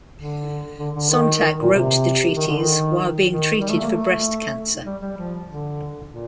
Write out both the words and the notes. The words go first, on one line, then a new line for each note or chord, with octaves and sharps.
Sontag wrote the treatise while being treated for breast cancer.
D3
D3
D3
D#3
D#3
A#2
C3
D#3
D3
D#3
D#3
G3
A3
A#3
A3
G3
G3
F3
D3
A#2